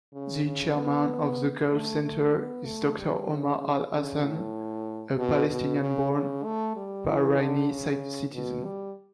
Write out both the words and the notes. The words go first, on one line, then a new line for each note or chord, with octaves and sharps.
The Chairman of the Gulf Center is Doctor Omar Al-Hassan, a Palestinian-born Bahraini citizen.
C#3
C#3
B3
A3
A3
B3
A3
G3
C#3
C#3
A2
B2
B2
C#3
C#3
A3
G3
E3
D3
C#3
B2
G3